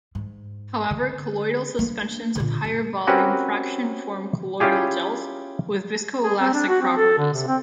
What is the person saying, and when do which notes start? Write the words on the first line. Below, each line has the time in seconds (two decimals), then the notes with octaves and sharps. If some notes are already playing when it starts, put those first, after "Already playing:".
However, colloidal suspensions of higher-volume fraction form colloidal gels with viscoelastic properties.
0.15 G#2
0.91 D3
1.79 A#3 D4
2.35 A#2 D3
2.64 F#2
3.07 C4 C#4 F#4 G4 A#4 B4
4.60 C#4 E4 F4 G4 G#4
6.23 G#4
6.40 C4
6.54 D4
6.68 F#4
6.82 C4
6.97 A4
7.18 D3
7.33 C3
7.47 C4